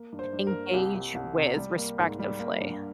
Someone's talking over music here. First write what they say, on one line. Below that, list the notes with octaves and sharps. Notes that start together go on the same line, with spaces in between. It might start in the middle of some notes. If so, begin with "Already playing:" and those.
engage with respectively.
Already playing: A#3
G2
C5
G2
A#4
A#3
C2 G4
C2
C2
C3
G3
A#3
G#2
G3
A#3
G2